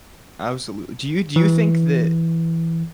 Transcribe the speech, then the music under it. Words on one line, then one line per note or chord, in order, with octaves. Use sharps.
Absolutely. Do you do you think that
E3